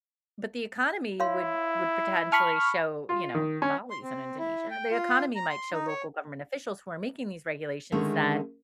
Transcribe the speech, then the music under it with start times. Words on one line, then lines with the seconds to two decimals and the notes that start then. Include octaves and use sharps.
but the economy would would potentially show, you know Bali's in Indonesia. The economy might show local government officials who are making these regulations that
1.20 E4 C#5 F5 C6
2.32 A5 B5 C#6 F6
3.09 F4
3.35 D#3
3.62 C#4
3.90 C6
4.02 C4
4.39 E4
4.71 G5
4.91 F4
5.36 A#5
5.49 C6
5.72 D#4
5.87 C#5
7.92 D3 D#3 G#3 A3 C#4